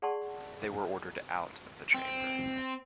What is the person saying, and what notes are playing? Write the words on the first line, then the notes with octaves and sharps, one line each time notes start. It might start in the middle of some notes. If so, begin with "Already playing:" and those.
They were ordered out of the chamber.
G#4 D5 F#5 A5 C6 C#6
C4